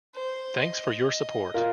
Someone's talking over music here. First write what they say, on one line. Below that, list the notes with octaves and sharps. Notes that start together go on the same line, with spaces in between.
Thanks for your support!
C5
D#5
D#5
F4 A#4